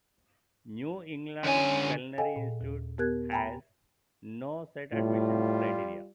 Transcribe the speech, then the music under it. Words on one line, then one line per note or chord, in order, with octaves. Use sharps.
New England Culinary Institute has no set admissions criteria.
D3 C#4 G#5
A4 D#5 F5 G5 G#5
A#2
D#2
B3 G4 A#4 F#6 G#6
G5 G#5 A#5 B5
A2 G3 F4